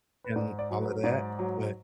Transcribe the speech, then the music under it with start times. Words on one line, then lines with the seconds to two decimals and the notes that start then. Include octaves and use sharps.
and all of that, but
0.24 B4
0.36 G#2 D5
0.59 D5
0.71 F#3
0.81 B4
1.04 G#2 D5
1.39 F#3